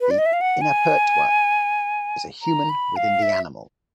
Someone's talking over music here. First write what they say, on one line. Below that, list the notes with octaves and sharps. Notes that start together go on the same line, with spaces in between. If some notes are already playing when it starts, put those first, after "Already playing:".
The Inapertwa is a Human within the animal.
B4
D5
D#5
E5
F5
F#5
G#5
A#5
B5
F5
E5